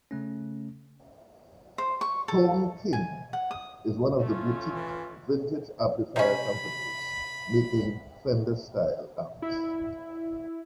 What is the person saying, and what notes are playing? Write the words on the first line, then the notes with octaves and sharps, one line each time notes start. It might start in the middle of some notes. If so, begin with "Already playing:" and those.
Tone King is one of the boutique "vintage" amplifier companies making Fender style amps.
C#3 A3 C#4
C5
C#6
A4
G#5
F#5
D#6
A3 C#4 F4
E3
C3 C#4 B5
E4